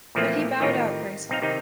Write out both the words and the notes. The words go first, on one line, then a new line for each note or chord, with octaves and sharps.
But he bowed out gracefully.
A#2 E3 F3 A3 A#3 C4
A2 D#3 C4 D#4 F4 G4
B1 C4 D#4 F5
C3 D#3 C4 D#4